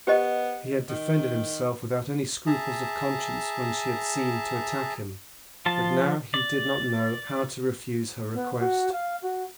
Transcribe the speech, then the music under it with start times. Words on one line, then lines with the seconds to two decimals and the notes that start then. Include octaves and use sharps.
He had defended himself without any scruples of conscience when she had seemed to attack him, but now he did not know how to refuse her request.
0.07 B3 G4 C5 D#5
0.89 D#3
2.46 G#4 E5 A5 A#5
5.66 F3 F4 A5
6.34 D5
8.34 B3
8.59 F#4
8.92 F5
9.22 F#4